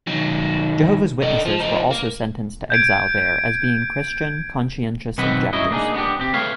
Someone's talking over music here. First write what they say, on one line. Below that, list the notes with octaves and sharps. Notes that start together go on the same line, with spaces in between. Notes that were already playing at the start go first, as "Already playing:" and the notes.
Jehovah's Witnesses were also sentenced to exile there as being Christian conscientious objectors.
D#3 F#3
D3 D#4
F3
F3 D#4
A#3
G6 G#6 D7
B1 D#3 C4 B4 F#5 B5
F#2 F#3 E4 D#5
A#3 D4 D#4 G#4
B3 D4 F#4 G4
C4 G4
A3 B4 C#5 F5